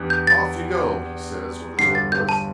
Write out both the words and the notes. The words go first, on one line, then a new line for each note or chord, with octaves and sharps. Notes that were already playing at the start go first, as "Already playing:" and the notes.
'Off you go,' he says, with his old voice.
Already playing: E2 E3 D4 G4
G6
A6
G1 G2 D3 G3 C7
A6
G6
A5